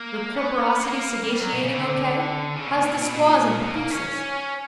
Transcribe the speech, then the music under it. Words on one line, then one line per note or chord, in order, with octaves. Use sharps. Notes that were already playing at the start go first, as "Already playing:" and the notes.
Your corporosity sagaciating O K? How's the squaws and papooses?
Already playing: A#3
B3
A#3
A#3
G3
F#3
B2
C#3
D3
C#3
B2
B2
A#2
B2
A#2
B2
A#3
C#4